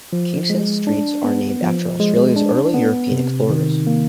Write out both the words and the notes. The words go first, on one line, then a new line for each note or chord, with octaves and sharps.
Kingston's streets are named after Australia's early European explorers.
F3
G#3
D4
B3
F3
G#3
D4
B3
C3
D#3
A#3